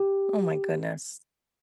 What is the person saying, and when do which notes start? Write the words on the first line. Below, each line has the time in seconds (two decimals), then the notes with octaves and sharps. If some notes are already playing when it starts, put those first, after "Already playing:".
Oh my goodness.
Already playing: G4